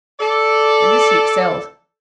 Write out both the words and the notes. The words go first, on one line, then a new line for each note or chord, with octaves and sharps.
In this he excelled.
A4 D5